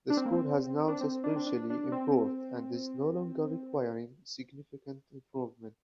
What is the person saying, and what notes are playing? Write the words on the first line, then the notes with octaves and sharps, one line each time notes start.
The school has now substantially improved and is no longer requiring significant improvement.
D4
C4
A#3
C4
D4
C4
D4
C4
D4
D4
C4